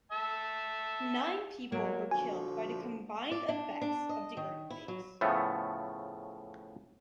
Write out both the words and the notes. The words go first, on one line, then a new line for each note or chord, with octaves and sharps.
Nine people were killed by the combined effects of the earthquakes.
E5 A5
F#3 A#3
A#1 D3 F3 F#4 G#5
D5
D4
D4
D#5
D#3
E4
F#3
A2 C#3 F3 A3 B3